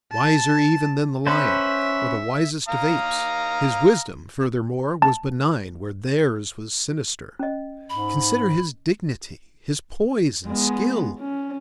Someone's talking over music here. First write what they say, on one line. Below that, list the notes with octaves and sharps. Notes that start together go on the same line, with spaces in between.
Wiser even than the lion, or the wisest of apes, his wisdom furthermore was benign where theirs was sinister. Consider his dignity, his poise and skill.
A5
C#4 B4 C5 E5
F5 A#5 D#6
A5
C#4 D#5
G#2 B5
G#3 B3
C#4